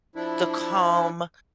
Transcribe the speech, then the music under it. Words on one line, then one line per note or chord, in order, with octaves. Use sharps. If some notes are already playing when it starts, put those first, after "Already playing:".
the calm,
F3 D4 E4